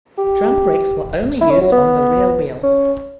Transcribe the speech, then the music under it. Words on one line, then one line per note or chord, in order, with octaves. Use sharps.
Drum brakes were only used on the rear wheels.
G4
E4
C#4
F#3
B3
C#4